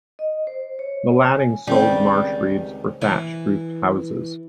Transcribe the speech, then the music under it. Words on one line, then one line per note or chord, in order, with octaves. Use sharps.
The Lattings sold marsh reeds for thatched-roof houses.
D#5
C5
C#5
G#5
C#2 D#3 G3 C4
E3 E4